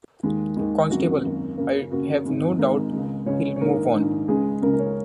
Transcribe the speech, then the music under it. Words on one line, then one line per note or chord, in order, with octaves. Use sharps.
Constable, I have no doubt he'll move on.
D#2 D#3 G#3
D#2 D#3 G#3
G#1 F#2 F#3 A#3 F#4
G#1 F#2 F#3 A#3
F#2 C#3 A#3
F#2 C#3 A#3 F#4
G#1 G#2 G#3
G#1 G#2 G#3 A#3 A#4
C#2 C#3 G#3
C#2 C#3 G#3 C#4 C#5
C#5
A#1 G#2 D#3 A#3 A#4
A#1 G#2 D#3
C#2 C#3 G#3 G#4
C#2 C#3 G#3 A#3 A#4
A#4
C#4 C#5